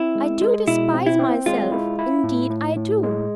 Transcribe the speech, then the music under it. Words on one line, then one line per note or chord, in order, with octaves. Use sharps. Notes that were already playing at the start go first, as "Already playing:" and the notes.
'I do despise myself--indeed I do.
Already playing: C4 E4
G#3
G#3
B2 E4
C4
E4
C4
G#3 F4
E4
E4
A2
A2
A2
G#3